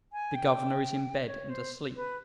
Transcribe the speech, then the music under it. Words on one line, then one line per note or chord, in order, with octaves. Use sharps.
"The governor is in bed, and asleep."
G#5
G5
C#5
C5
B4